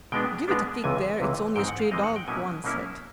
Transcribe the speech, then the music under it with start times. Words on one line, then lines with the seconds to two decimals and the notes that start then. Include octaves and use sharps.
"Give it a kick--there--it's only a stray dog," one said.
0.12 B2 G#3 B3 D4 G5
0.48 B2 G#3 B3 D4
0.84 C#2 C3 E3 G#5
1.20 C#2 C3 E3
1.56 G#2 E3 G#3 C4 G5
1.68 F#5
1.80 F5
1.91 G#2 E3 G#3 C4 D#5
2.03 F#5
2.16 G5
2.28 B2 F#3 A#3 C#4 E4 G#5
2.64 B2 F#3 A#3 C#4 E4